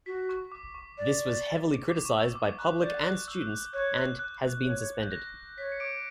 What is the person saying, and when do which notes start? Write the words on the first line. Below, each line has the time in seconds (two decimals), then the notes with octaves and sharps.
This was heavily criticized by public and students and has been suspended.
0.06 F#4 B6
0.29 C#6
0.52 D6
0.75 C#6
0.98 D5
1.90 D6
2.05 C#6
2.20 E6
2.35 D6
2.59 F#6
2.81 D5 G6
3.05 F#6
3.28 E6
3.73 C#5 F#6
3.97 F#6
4.19 F#6
4.65 C#5
5.02 G6
5.12 A#6
5.58 C#5 B6
5.72 C#7
5.80 D6 D7